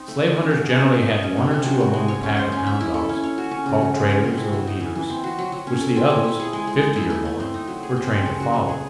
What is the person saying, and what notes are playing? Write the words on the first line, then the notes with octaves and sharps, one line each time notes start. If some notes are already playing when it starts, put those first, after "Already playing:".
Slave hunters generally had one or two among the pack of hound dogs, called trailers or leaders, which the others, fifty or more, were trained to follow.
Already playing: C4 D#4
A3
D#3
C#4
F#3
G#4
A3
D#5
D#4
C#4
C3
C3
F#3
F#4
G#3
C#5
C#4
C5
C#4
E5
E4
A4
C#4
C#5
F#4
C#4
C#3
F#4
G#3
C#4
C3
E4
F#3
D#4
E3
E3
C4
F#4
F#3
F#3
C#4
A4
C4
C#5
E4
G#4
G#3
G#3
D#4
E4
A3
A3
C4
D#4
F#3
G#4
C4
C4
C#3
F#4
F#3
G#4